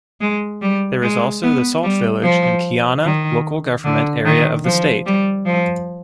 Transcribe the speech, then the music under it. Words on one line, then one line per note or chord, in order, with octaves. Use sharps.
There is also the Salt Village in Keana Local Government Area of the State.
G#3
G3
G#3
B3
G3
F3
D#3
D3
D#3
F3
G3
F3